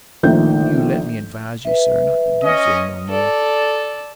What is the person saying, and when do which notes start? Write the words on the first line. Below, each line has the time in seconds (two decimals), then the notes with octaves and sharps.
Won't you let me advise you, sir, not to do so no more?
0.23 A#1 D#3 F3 A3 G6
1.65 B4 E5
2.43 C#4 D#5
3.10 A4 D5